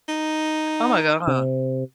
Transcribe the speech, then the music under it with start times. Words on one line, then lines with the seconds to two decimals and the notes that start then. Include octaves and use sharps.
Oh my god.
0.09 D#4
1.27 C3